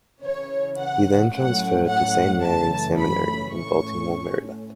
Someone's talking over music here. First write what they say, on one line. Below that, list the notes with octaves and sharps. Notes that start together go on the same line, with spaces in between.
He then transferred to Saint Mary Seminary in Baltimore, Maryland.
C#3 E3 C#4 C#5
F#5
A2 F#3 A3 C#4 F#5
F#5
F#2 C#3 E3 A3 C#4 A5
B5
A2 A3 C#4 C#6